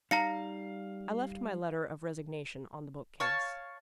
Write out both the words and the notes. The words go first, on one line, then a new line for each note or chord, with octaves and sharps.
I left my letter of resignation on the bookcase.
G3 D#4 F5 A5 A#5 A#6 C#7
C#5 F5 A5